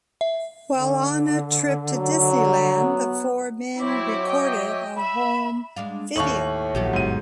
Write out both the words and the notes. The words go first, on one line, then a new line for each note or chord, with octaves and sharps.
While on a trip to Disneyland, the four men recorded a home video.
E5
D3
F#3
B3
F#3 C4 E4 C#5 E5 D6
D#5 G5
E5 B5
G#3 D4 F5
D#2 A2 D#5 F5 C#6 F#7
A#1 F#3 B3 G4
G1 G#2 B2 D#7